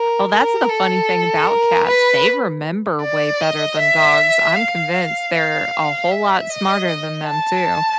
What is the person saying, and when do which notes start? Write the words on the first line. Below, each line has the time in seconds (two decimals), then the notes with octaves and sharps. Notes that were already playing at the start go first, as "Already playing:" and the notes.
Well, that's, uh, the funny thing about cats, they remember way better than dogs. I'm convinced they're a whole lot smarter than them too.
Already playing: A#4
0.32 A#4
0.70 A4
1.47 A#4
1.86 B4
3.02 D5
3.41 D#5
3.80 E5
4.56 F5
5.34 F5
6.11 E5
6.50 D#5
6.88 D#5
7.27 A5